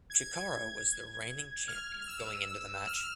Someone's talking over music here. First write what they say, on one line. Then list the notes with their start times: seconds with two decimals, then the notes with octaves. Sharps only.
Chikara was the reigning champion going into the match.
0.10 G#6
1.68 F6
2.01 F6
2.07 E6
2.47 E6
2.87 F6